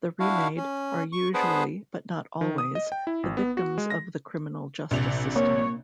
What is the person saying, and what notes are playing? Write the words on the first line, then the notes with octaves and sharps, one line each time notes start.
The Remade are usually, but not always, the victims of the criminal justice system.
D4 E4 F#4 F5
C#4
C#6
B3 D4 G#4 B4 C5
D#3
D#6
D#5
G5
E4
G#1
B3
F#4
G#3
A#6
A#1 C3 F7
A#3 C#5